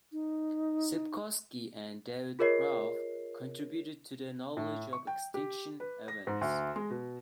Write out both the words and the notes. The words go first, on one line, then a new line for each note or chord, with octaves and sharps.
Sepkoski and David Raup contributed to the knowledge of extinction events.
D#4
F4 G#4 A#4 C#5 D#5 C7
A2
C#6
G5
G4
B4
A#6
G#2
D2
G#3
B2